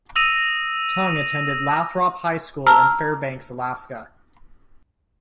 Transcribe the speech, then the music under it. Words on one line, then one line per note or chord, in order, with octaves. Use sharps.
Tongue attended Lathrop High School in Fairbanks, Alaska.
D#6 E6 A#6 D#7 F7
A5 A#5 E6 F6